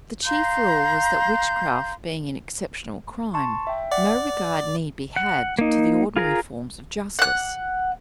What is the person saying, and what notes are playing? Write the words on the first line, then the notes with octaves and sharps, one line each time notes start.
The chief rule was that witchcraft being an "exceptional crime," no regard need be had to the ordinary forms of justice.
F5 A#5 C6 G6
A5 C6 C#6
E5 G5
D5 F#5
F#5
A#3 D#4
F4 G#4 A#4 A#5
F#5 F#6